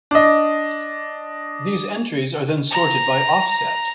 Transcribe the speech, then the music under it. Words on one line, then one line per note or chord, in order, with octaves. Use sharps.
These entries are then sorted by offset.
D4 D#5
A#5